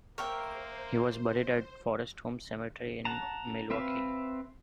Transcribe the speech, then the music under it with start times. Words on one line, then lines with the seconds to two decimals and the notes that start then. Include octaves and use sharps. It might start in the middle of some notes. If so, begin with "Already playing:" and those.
He was buried at Forest Home Cemetery in Milwaukee.
0.18 A#3 A#4 C5 C#5 E5 G5
3.05 F#5 A5 A#5
3.70 C4 B4 E5 F5